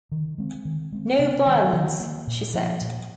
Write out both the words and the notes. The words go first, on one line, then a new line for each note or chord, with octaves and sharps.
No violence, she said.
D#3
G#3 C4
D#3
G#3 C4
C3
D#3 G#3
D#3
A#3
A#2
F3 A#3
A#2